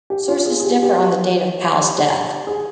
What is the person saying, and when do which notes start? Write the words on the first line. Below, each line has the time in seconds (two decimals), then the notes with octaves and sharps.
Sources differ on the date of Powell's death.
0.10 G4
0.29 F4
0.46 G#4
0.60 G#4
0.65 G4
0.83 G4
2.47 G#4